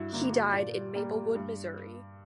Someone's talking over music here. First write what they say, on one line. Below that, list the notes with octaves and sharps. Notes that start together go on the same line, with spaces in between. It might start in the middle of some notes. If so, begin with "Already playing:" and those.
He died in Maplewood, Missouri.
Already playing: G2 E4 F#4
D3 A#3 E4
F#4
A#2 D5
G3 A#3
G2